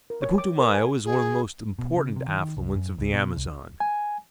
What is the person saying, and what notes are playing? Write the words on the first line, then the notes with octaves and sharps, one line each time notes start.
The Putumayo is one of the most important affluents of the Amazon.
A#4
C#5
D6
A#4
G#5
G#4
B2
C#3
C3
D#3
D#3
C2
F#2
C#2
B2
C2
G#5